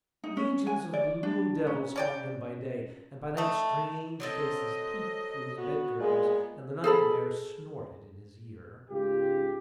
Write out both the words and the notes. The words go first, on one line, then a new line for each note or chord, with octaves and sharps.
Legions of blue-devils haunted him by day, and by night strange faces peeped through his bed-curtains, and the nightmare snorted in his ear.
D#4
C#4
G#5
D5
D4
C#4
C#4 D5 G5
A3 D#5
F#3 C4 A4 D#5
B3 F#4
A#2 G#3 B3
G#4 A4 B5
C#2 G#2 F4 G4